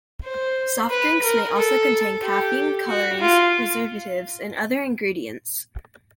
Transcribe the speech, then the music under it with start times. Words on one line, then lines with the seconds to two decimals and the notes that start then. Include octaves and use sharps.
Soft drinks may also contain caffeine, colorings, preservatives and other ingredients.
0.24 C5
0.90 B4
1.23 A#4
1.56 A4
2.22 G4
2.88 F#4
3.21 F4